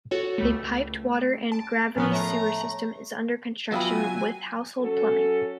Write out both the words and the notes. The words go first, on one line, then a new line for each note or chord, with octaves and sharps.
A piped water and gravity sewer system is under construction, with household plumbing.
F#4 A4 C#5
C#2 G3 A3
A5 D7
A2 F3 B3 C#4 A#4
A3 C#5 A#5
F#3 B3 F4 F#4 E5 G5 G#5 B5
F#3 C#4 A4